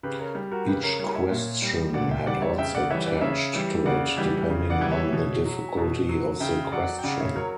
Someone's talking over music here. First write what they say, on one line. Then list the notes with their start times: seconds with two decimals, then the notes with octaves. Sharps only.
Each question had odds attached to it depending on the difficulty of the question.
0.03 C#3 G4 B4
0.19 A#4 C#5
0.35 G3
0.52 F#4 A#4
0.67 C#3 G4 B4
0.83 A#4 C#5
0.99 G3 A#4 C#5
1.15 C#5 E5
1.31 A#2
1.62 G3
1.94 A#2 D5 F#5
2.11 E5 G5
2.26 G3 D5 F#5
2.42 C#5 E5
2.58 C#3 E5 G5
2.75 D5 F#5
2.90 E3 G3 C#5 E5
3.06 B4 D5
3.21 C#3 C#5 E5
3.53 E3 G3
3.86 C#3 D5 F#5
4.17 E3 G3
4.50 C#3
4.70 D5 F#5
4.81 E3 G3
4.92 C#5 E5
5.12 B2
5.45 F#3
5.77 B2
6.09 F#3
6.40 C#3 E5 G5
6.72 F#3 D5 F#5
6.99 G5
7.04 C#3 D5 F#5
7.20 C#5 E5
7.35 F#3 A#4 C#5